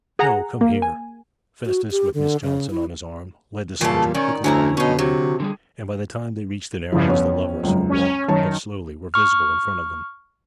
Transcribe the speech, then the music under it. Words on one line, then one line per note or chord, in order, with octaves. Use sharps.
'No--come here.' Festus, with Miss Johnson on his arm, led the sergeant quickly along the parade, and by the time they reached the Narrows the lovers, who walked but slowly, were visible in front of them.
G#4 F#5 A#5
A#3
G#5
F#4
G4
D3
C#3
E4
E2 A#2 C#3 G3 A4 F5
D#3 C#4 D5
D2 D3 C#4 E4 A#5
B2 C#4 D#4
C3 F#3
D3 G3 G#4
G2 C#3 F3 E4
F2 B3 C#4
C#2 F#2
C#4
F#2 D#3 C#5 A5
C#6 F6